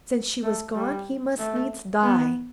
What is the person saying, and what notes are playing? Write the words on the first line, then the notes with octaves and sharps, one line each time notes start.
Since she was gone, he must needs die.
A3
G3
A3
B3